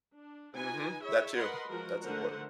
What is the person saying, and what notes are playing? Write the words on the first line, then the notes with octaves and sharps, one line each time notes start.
Mhm. That too. That's important.
D4
D#4 F4 B4 G#5
E4 G#4 C#5 E5
A#4 B4 D#5 F#5 B5 C6
F3 G#3 F#4 A#4
D3 A3 A#4 C5 F#5